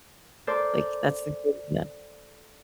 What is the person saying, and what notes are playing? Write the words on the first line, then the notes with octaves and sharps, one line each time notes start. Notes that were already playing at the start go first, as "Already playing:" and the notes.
Like, that's the good yep.
A4 A#4 C5 D5